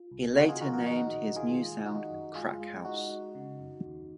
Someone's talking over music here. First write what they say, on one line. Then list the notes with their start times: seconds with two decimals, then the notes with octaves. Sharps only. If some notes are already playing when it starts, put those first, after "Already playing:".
He later named his new sound "crack house".
Already playing: F4
0.11 C2
0.36 C3 D#4 F#4
0.48 F4 G#4
0.61 F3 F#4 A#4
0.73 F#4 A#4
0.86 D#3 D#4 F#4
1.11 A#1
1.35 D#3 F4 G#4
1.61 G#3
1.86 D#3 D#4 F#4
2.10 F#2
2.35 G#3 F4 G#4
2.60 G#3
2.85 G#3 D#4 F#4
3.10 G#3
3.35 C#3
3.59 F#2
3.85 D#2